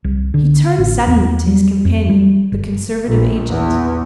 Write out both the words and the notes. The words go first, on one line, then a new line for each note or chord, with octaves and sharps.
He turned suddenly to his companion, the Conservative agent.
C2
D3
A1
E2
G3
F2
G3
G1
A#1
E2